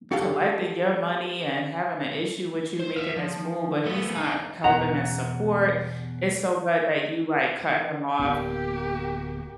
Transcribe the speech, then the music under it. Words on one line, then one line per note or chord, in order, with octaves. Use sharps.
collecting your money and having an issue with you making this move, but he's not helping as support, it's so good that you, like, cut him off.
F#4 G4 A4 F5
C5
E5 F5
F3
A3 B3
D4 D#4
E2 B2 F#5 A#5
D1 C#2 A#3 B3 G4